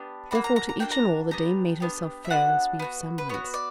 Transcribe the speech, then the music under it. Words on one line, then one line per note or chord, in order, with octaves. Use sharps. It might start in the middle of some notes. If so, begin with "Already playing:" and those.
Therefore to each and all, the dame made herself fair and sweet of semblance.
Already playing: B3 D4 G4
A#3 D4 F#4 B5
A#5
A#5
A#5
A#3 D4 F#4 G5
A#5
B3 D4 G4 A#5
B3 D4 G4
E5
B3 D4 F#4 F#5
B3 D4 F#4
B4
B3 F#4 C#5
D5